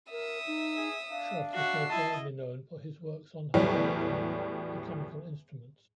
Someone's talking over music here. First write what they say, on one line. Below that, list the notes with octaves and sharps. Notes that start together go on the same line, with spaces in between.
Schott is most widely known for his works on hydraulic and mechanical instruments.
A#4 E5 D#6
D#4
G#4
D4 F5
F#4 E5 C7
E4 D#5 A5
E2 A2 F#3 G3